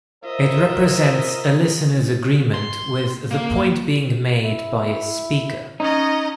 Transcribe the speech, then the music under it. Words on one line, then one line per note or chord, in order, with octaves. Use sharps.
It represents a listener's agreement with the point being made by a speaker.
F4 A#4 C5 D#5 E5
C6
A#3
E4
C#4 D#4 D#5